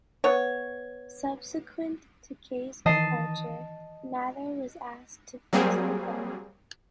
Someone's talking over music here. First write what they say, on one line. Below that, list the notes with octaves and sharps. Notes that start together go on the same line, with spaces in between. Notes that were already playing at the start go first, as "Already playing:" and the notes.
Subsequent to Kaye's departure, Nather was asked to fix the bug.
B3 C#5
D#3 E3 D#5 A5 C7
F#3 G3 A#3 C4 G#4